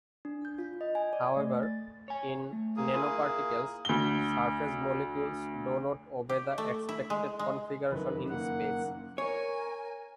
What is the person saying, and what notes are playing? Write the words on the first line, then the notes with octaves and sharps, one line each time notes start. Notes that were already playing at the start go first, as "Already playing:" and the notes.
However, in nanoparticles, surface molecules do not obey the expected configuration in space.
D4
G6
F4
D#5
G#5
D5
A3
A6
C#5 G#5
A3
A#3 G#4
E4 F4 G#5
D2 G7
G4
A3
E4
G#3
G#3
F#1 F2 D#3 B4
A#3 F#5
A#4 C#5 G#5